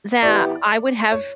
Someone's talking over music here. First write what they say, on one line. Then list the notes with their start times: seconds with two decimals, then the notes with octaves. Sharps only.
that I would have
0.23 E3 B3 E4 G4 D5
1.12 C#5